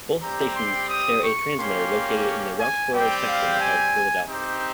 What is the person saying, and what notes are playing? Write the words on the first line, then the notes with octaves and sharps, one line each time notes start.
Both stations share a transmitter located in the Roxborough section of Philadelphia.
G3 C4 G4 A#5
C6
D#6
C#6
A#3 C#4 G4 C6
G#5
G3 C4 G4 G5
F5
G#5
C4 D#4 G4